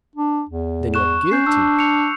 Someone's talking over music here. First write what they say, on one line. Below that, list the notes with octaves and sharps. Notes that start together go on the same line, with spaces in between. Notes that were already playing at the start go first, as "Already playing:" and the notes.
"Then you are guilty."
D4
E2
C#6 F#6 E7
C#4 G6 C7
D4 E6
C#7 F7